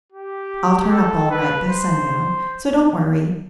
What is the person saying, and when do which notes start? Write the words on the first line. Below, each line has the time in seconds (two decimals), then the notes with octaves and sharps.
I'll turn up all right by sundown; so don't worry.
0.12 G4
0.90 A4
1.31 B4
1.69 C5